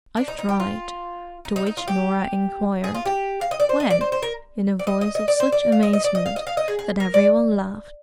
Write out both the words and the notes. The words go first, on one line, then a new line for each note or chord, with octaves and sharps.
"I've tried." To which Norah inquired, "When?" in a voice of such amazement that every one laughed.
D4
D#4
D#4
G4
F4
D#4
D#4
D#4
F4
G4
G#4
F4
G4
F5
D#5
D5
C5
D#5
D5
C5
C5
A#4
D5
D#5
D#5
D#5
D5
C5
D5
F5
D#5
D#5
D5
D#5
F5
D#5
F5
D#5
G#4
G#4
A#4
D5